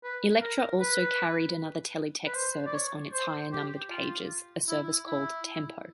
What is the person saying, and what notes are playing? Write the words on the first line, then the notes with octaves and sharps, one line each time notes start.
Electra also carried another teletext service on its higher-numbered pages, a service called "Tempo".
B4
A#4
B4
B4
C5
D5
C#5
C5
G4
F4
E4
E4